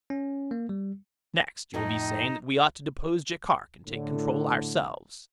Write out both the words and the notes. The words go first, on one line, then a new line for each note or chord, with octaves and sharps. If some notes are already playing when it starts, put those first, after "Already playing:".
"Next, you'll be saying that we ought to depose Jaikark and take control ourselves."
C#4
A#3
G3
F2 A2 D#4
A2 D3